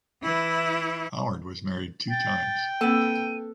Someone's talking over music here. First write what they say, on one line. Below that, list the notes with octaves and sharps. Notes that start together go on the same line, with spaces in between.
Howard was married two times.
E3 E4
G5 A6
A#3 C4 A4 B4 D#7